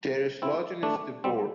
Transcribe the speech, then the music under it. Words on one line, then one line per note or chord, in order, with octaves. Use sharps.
Their slogan is "The Word".
C4 E4
A3 D4
G3 C4